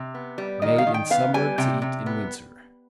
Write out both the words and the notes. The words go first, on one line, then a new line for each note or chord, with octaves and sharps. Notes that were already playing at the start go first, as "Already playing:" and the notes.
Made in summer to eat in winter.
Already playing: C3
B3
G3
D#3 D#5
F5
D#3
G5
B3 F5
G3 G#5
C3 G5
C3
B3